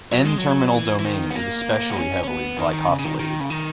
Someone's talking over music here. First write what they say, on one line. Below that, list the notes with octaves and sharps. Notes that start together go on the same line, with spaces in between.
N-terminal domain is especially heavily glycosylated.
F#3
G#3
F#3
E3
E3
D#3
B3
A#3
B3
C#4
C#4
B3
D#3
D#3
C#3
C#3
D#3
D#3
C#3
D#3